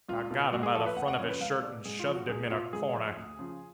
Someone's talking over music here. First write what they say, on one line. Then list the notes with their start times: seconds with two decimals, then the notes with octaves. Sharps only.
I got him by the front of his shirt and shoved him in a corner.
0.09 C#2 F4
0.31 B2
0.52 G#2 F#4
0.63 G#4
0.75 F3 A4
0.86 B4
0.96 D2 F#5
1.08 F#5
1.19 F3 C#5
1.22 C#3
1.29 B4
1.40 C#2 F5
1.63 B2 D5
1.85 G#2 G#4
1.99 F4
2.07 F3
2.14 F#4
2.29 C#2 G#4
2.50 B2 F4
2.73 G#2 G#4
2.95 F3
3.17 D2
3.39 C#3 F3